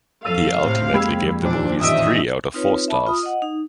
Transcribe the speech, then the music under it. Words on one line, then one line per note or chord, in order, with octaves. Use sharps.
He ultimately gave the movie three out of four stars.
F2 A4 F5 E6 A6 D#7
A2 C3
F2 G#3 A#3 G4 B5 E6 G#6
A#2 C4 D4
A1 D#3 G3 D#5 E5 E6 D7
C4 D#4 F4 B4 C#5
E5 A5 B5
F4 D#6
D#5 F#5
D#4